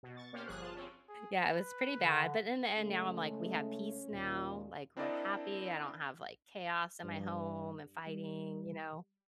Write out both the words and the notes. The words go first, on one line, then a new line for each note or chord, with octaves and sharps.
yeah, it was pretty bad, but in the end, now I'm like, "We have peace now," like, "We're happy, I don't have, like, chaos in my home and fighting," you know?
B2
C#6 A6
A#3 C#4 G4 C5 F5
G1 F3 G#4 F#6
F4 A5
C4 C#4
G#4
B4
D3
C#3 G#3 A3 C#4
D#2 A#2
C4 D4 E4 A#4 D5 D#5
G2
G3